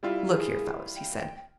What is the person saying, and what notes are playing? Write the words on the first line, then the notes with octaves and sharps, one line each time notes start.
"Look here, fellows," he said.
G3 E4 F4
G#4
G5